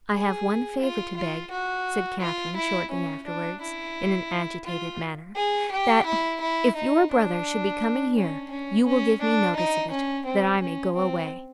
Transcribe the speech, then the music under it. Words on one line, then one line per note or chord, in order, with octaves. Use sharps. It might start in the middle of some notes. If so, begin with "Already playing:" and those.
"I have one favour to beg," said Catherine, shortly afterwards, in an agitated manner, "that, if your brother should be coming here, you will give me notice of it, that I may go away."
G#4
F4
F4
F#4
F4
E4
C#4
D4
E4
F4
G#4
G4
E4
E4
D#4
D4
C#4
C#4
C#4
D4
D#4
C#4
C4
C#4
C4